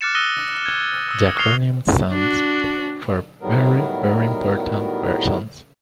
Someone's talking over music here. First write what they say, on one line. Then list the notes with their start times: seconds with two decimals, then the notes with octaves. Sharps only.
The acronym stands for "very, very important persons".
0.01 D6 F6 F#6 A6 C#7 E7
0.15 D#6 E6 F#6 A#6 D#7 G7
0.65 G#6
1.08 D#6 E6
1.36 C#6 D#6 F6 C7 F7 G7
2.11 D4 F#4
3.41 A2 D#3 F#3 G3 B3 A#4